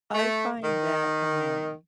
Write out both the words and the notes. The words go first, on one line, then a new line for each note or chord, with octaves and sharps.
I find that, um,
A3
D#3